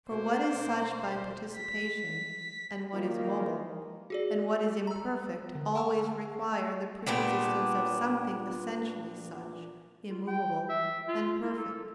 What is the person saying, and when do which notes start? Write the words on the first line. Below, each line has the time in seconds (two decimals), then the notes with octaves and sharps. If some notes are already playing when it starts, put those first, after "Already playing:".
For what is such by participation, and what is mobile, and what is imperfect always requires the pre-existence of something essentially such, immovable and perfect.
0.11 B2 A#3 C5
1.53 B6
2.93 D#3 F3 A#3
4.10 F#4 G#4 D5
4.87 A#5 E6
5.55 D3
5.75 F#5 G#5 A5 C6 C#6 E6
7.06 A#2 B3 D4 G4
10.10 F4
10.27 G5
10.70 E5
11.08 F4
11.43 E4
11.57 A4